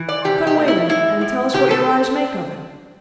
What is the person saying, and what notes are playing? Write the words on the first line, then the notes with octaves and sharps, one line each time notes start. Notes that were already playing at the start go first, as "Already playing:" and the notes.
'Cut away then, and tell us what your eyes make of it.'
Already playing: E3
D5
C3 G4
G4
A3
E4
A2 E4
A2
C3 G4
A4